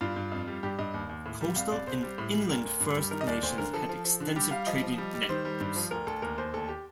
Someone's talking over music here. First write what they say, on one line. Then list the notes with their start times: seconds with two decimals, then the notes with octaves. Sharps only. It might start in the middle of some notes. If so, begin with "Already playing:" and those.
Coastal and inland First Nations had extensive trading networks.
0.01 G2 F4
0.16 G2
0.32 F2
0.47 G3
0.63 G2 G4
0.79 G2 D#5
0.94 D#2
1.09 D#2
1.26 A2
1.41 G3
1.56 C2 F5
1.72 C2 D5
1.87 C2 C5
2.03 G3
2.18 A2
2.34 G3
2.49 D2 A#4
2.65 D2
2.80 G2
2.96 G3
3.11 D#3 A#4
3.21 D#5
3.27 D#2 D5
3.43 D2 C5
3.58 D3 A#4
3.74 F3 A4
3.89 F3
4.05 F3
4.20 D3
4.36 G3 G4
4.51 G3 F5
4.67 F3 D#5
4.83 F3
4.98 G3
5.14 G3
5.29 D#3 C5
5.45 G3
5.60 G2
5.76 F3
5.91 D2 A#4
6.07 D2 A4
6.22 D#2 A#4
6.38 D#2 C5
6.53 D2 A4
6.69 G4